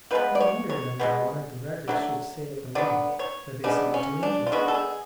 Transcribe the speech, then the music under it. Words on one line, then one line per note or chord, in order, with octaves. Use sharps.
What wonder then that one of the records should say of them all, that they saw two angels?
F3 G#3 B3 B4
D5
C#5
C#5
B2 G#3 B3
D3 F#3 A3
D3 F#3 B3 D5
C#5
C#3 G#3 B3 D4
C#4
D4
F4
D3 G#3 B3 F#4
A4
G#4